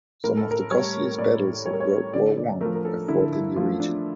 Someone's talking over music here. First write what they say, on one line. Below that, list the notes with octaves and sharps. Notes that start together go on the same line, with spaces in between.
Some of the costliest battles of World War One were fought in the region.
A2 A#4
A4
A#4
G3 C#5
A2 D5
G3 C#5
A#4
C#5
D3 D5
D5
F3 A3 A#4
A#4
A4
D3 E4
E4
F3 A3 F4
D4